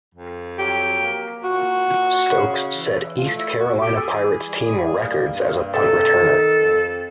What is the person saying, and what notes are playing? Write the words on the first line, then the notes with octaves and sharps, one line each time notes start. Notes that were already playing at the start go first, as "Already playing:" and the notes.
Stokes set East Carolina Pirates team records as a punt returner.
F2
F#3 G4
A#3
A#2 F#4
A#2
C#3
E3
A3 F4
E4
E2 F#4
G4
A4
E3 G#4
G3
A#3
G2
C3 A4
D#3
F2